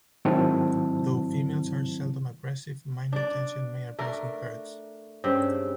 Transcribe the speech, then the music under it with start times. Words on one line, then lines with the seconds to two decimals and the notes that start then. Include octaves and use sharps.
Though females are seldom aggressive, minor tension may arise in herds.
0.25 G#2 D#3 F#3 C4 E4 A5
3.13 D4 D5
3.99 A3 D4 A#4
5.24 G2 C#3 C4